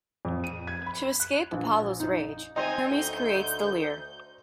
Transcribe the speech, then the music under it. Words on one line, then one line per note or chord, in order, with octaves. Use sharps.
To escape Apollo's rage, Hermes creates the lyre.
F2
D#7
G#6
B5
F#6
A#1
D#4
C4 D#4 C5 D#5 G#5 A#5
D2 G6